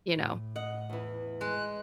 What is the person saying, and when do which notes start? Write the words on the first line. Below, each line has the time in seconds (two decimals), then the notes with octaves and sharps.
You know?
0.14 A2
0.56 D#5 F#5
0.90 E2 E3
1.41 G#3 F#6